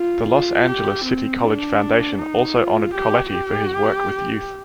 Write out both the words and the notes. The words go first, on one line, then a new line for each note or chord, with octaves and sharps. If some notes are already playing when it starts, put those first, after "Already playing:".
The Los Angeles City College Foundation also honored Colletti for his work with youth.
Already playing: F4
F4
G4
C4
D4
D#4
F4
G4
G4